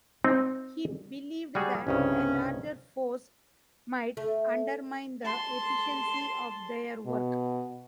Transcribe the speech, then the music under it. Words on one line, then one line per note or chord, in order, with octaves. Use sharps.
He believed that a larger force might undermine the efficiency of their work.
C4 D#4
G3 F#4 G#4
C2 G2 C#3 C#4
A3
A5 C6
B2